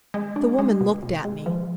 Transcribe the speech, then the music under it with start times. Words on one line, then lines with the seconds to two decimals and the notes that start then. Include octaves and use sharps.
The woman looked at me.
0.14 G#3
0.36 D4
0.59 G#3
0.81 B2
1.03 B2
1.25 G#3
1.46 F3